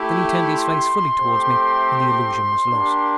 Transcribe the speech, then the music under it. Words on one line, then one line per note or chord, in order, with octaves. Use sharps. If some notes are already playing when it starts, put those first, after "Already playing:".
Then he turned his face fully towards me, and the illusion was lost.
Already playing: A3 E4 G4
C6
A3 C4 G4
A#3 D4 G4